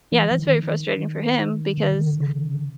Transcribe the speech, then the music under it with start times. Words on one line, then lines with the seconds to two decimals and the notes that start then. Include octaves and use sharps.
yeah, that's very frustrating for him because
0.12 E3
0.31 E3
0.39 D#3
1.78 D#3
1.92 D#3
2.06 D3
2.19 C#3